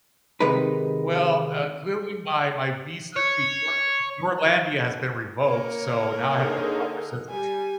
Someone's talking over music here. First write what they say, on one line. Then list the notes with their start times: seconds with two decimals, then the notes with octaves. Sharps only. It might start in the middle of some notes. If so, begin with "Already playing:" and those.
Well, uh, clearly my my visa to Your to Yourlandia has been revoked, so now I have to apply for citizenship
0.40 C3 D#3 G#3 D#4 A#4 B4
3.16 C#5
5.46 A#3 A#4 C#5
6.37 D3 D#4 G#4
7.30 G3 G#5